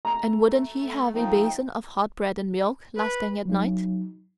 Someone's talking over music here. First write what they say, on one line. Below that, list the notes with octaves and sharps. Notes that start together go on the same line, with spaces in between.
And wouldn't he have a basin of hot bread and milk last thing at night?
A3 A#5
F3 A3 D#4 G5
B4
F#3 D#4